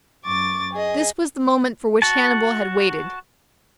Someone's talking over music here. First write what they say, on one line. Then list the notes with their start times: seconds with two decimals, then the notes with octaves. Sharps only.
This was the moment for which Hannibal had waited.
0.24 F#2 C#6 D6 A6
0.73 G#4 D#5
2.02 F#4 A5